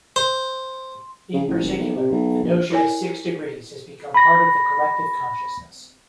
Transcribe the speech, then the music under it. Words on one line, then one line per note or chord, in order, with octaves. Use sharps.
In particular, the notion of six degrees has become part of the collective consciousness.
C5 C6
C#3
A1
F#1
B1
C3
B1
A#1
E4 A#4 C#5 G#5
B5 A#6